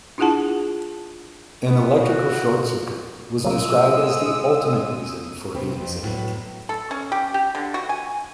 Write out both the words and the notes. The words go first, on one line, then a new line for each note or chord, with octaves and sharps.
An electrical short circuit was described as the ultimate reason for the incident.
D4 E4 F4 G#4 F#5 A5
B3
F#4
C#3 F#3 G#3 A#3 D#6 E6
C3 B3 C4
F2
A2 F#3 B3
A4
C#4
G4
G4
D3
F#4
G#5